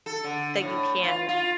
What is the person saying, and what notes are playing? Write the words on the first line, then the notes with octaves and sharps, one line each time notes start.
that you can,
A4
D3
A2
F4
F4